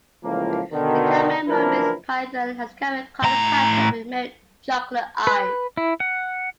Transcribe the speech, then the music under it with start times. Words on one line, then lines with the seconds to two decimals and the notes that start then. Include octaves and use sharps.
The caramel Burmese python has caramel-coloured pattern with "milk-chocolate" eyes.
0.24 C#2 A2 E3 F3 A#3
0.73 B2 D3 D#3
1.49 F#1 E3 F3 D4 E4 A#4
3.23 A2 A#5
5.27 B4
5.77 E4
6.00 F#5